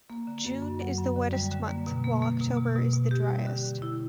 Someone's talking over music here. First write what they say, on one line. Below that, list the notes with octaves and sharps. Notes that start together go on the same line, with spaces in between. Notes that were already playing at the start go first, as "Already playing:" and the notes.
June is the wettest month while October is the driest.
A#3
D3
F#2
F#2
F#3
F#2
D3
G3
D3
A#3
B2
A#3
A#3
B2
B2
B2
B2
G4
G3
D3
D3
E4